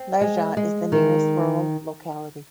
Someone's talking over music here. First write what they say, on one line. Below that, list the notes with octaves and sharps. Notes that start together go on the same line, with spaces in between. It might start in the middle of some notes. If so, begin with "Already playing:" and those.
Lezha is the nearest rural locality.
Already playing: C4
G#3
G#3
D#3